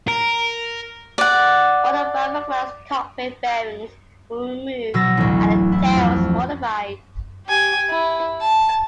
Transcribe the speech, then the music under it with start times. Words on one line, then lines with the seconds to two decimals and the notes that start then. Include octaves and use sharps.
All the fibreglass cockpit fairings were removed and the tail was modified.
0.08 A#4
1.18 D5 F#5
4.94 B2 F#3 E6 A6 A#6
5.17 A1 D2
5.72 E4
5.97 F2
7.46 G4 G#5
7.89 E4
8.41 A5